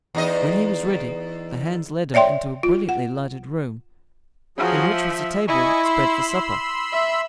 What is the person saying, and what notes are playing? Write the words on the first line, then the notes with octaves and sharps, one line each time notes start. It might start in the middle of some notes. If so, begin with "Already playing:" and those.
When he was ready, the hands led him into a brilliantly-lighted room, in which was a table spread for supper.
E2 D#4 D#5
C#5 D5 E5 G5 C6
F4
F#5
F3 F#3 F#4 G#4
E5
E4 D#5 G#5 C#6
B5 C6 E6
E5